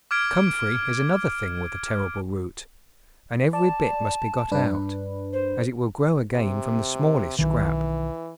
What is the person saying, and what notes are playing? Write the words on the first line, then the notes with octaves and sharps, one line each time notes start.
Comfrey is another thing with a terrible root, and every bit must be got out, as it will grow again from the smallest scrap.
D6 F6 G#6 D7
D5 A5
G2 D4 B4
C5
C3
B1 D#3 E3